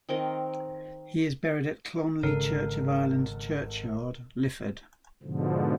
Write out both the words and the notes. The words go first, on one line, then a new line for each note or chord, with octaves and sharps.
He is buried at Clonleigh Church of Ireland Churchyard, Lifford.
D#3 C4 A#4 D#5
G#1 C#3 A4 A#4
G#2 B2 D3 F3